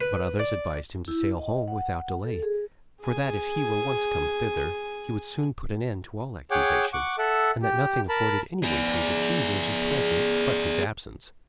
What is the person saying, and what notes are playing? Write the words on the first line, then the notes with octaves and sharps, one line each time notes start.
But others advised him to sail home without delay; for that if he were once come thither, he would soon put an end to all accusations, and that nothing afforded any weight to his accusers at present but his absence.
B4
D5
E4
D#5
F#5
A4
G#4
G#4 G#5
G#4 C#5 F#5 G5 D6
F#5 C#6 D6
A4 E5 F#5
G4
A#4 A5 B5
G#4 D5